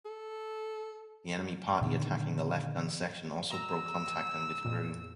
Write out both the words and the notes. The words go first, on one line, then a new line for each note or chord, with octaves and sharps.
The enemy party attacking the left gun section also broke contact and withdrew.
A4
A#2 D3 D#3
A#5 E6
F2 A#2